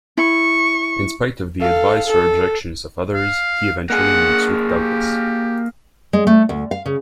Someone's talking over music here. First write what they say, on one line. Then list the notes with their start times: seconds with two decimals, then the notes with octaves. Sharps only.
In spite of the advice or objections of others, he eventually meets with Douglas.
0.18 E4 C#6
1.61 A4 F5
2.07 A4
3.13 F5
3.90 A#3 G#4 F#5
4.67 G4
6.13 G#3
6.27 A3
6.49 D2
6.71 F5
6.86 C#3